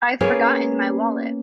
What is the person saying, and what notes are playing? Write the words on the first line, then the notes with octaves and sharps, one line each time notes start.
I’ve forgotten my wallet.
A#3 B3 C#4 G#4